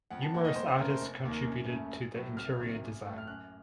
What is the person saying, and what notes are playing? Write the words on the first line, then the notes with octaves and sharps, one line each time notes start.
Numerous artists contributed to the interior design.
F2 F#5
A5
D#3 A#3 F#5
D#5
F2 C5
C5
C#3 A3 A#4
C5
F1
D#2 D#3 A#3
F#2
C#3 A3
A#1
A2 F#3
C2 F6
C3 D#3 F#3 A#3
A1
A2 A3
F6
F#2 F#6